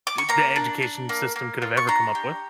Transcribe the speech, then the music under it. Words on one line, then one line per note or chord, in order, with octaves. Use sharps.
s the education system could have ever come up with
D6
C#6
A#3 A#5
D4
D4
A#3
A#3
F4
C#6
D4 A#5
G4